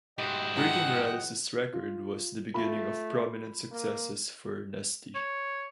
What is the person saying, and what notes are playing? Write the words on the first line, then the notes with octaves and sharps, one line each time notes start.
Breaking Morales's record was the beginning of prominent successes for Nesty.
G#2 E4 F#4 G4 D#5 G5
E3 F#3 G#3 F#5
F4
A3 F4 B5
A#3
C#5